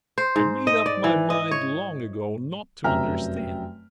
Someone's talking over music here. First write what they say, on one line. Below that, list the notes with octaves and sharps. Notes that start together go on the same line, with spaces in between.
I made up my mind long ago not to understand.
C5
G#2
D#5
D5
E3
D#5
C#5
F1 F#2 E5 G5 A#5 F6